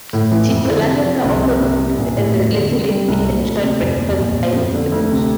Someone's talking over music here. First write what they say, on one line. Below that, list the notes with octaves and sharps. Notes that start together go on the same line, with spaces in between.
Chipolatas are often prepared as a relatively thin and short breakfast-style sausage.
A2
E3
F2
D3
C3
F3
C2
C3
C2
C3
A#1
A2
E2
D3
C3
G3
C2
A#2
D2
C3
F1
E2
A#1
A#2
F2
D3
D2
C3